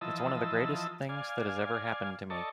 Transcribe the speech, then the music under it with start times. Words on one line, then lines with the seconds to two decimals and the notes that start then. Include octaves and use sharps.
It's one of the greatest things that has ever happened to me.
0.01 E3 F3 D#5 A5 E6
1.09 D5 F5 G#5
2.30 A4 D5 D#5 A5 C#6